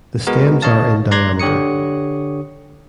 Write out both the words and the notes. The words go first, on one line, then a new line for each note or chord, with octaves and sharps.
The stems are in diameter.
G#3 B3 F#4 A#4
C#5 D#5 F5 A5
D5 A#5 C6 F#6 G#6 A#6
D3 G4 C#5 D#6 C#7